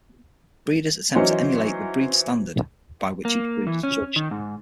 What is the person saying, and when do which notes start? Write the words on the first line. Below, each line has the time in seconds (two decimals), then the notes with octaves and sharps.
Breeders attempt to emulate the breed standard by which each breed is judged.
1.15 E3 F#3 C#4 D#4 F#4 C5
3.25 A#3
3.67 E3
3.83 C#4
4.16 D#3
4.31 G#2